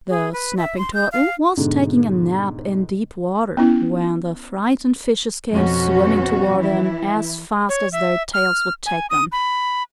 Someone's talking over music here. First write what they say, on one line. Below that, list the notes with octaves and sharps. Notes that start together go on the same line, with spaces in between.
The Snapping Turtle was taking a nap in deep water, when the frightened fishes came swimming toward him as fast as their tails would take them.
G#4
B4
E5
C6
G6
F5
G#2 B2 D3
B3 C#4 E4
F2 B2 C#4 F#4
E3 E4
C#5
E5
F6
G#5
D#6
B5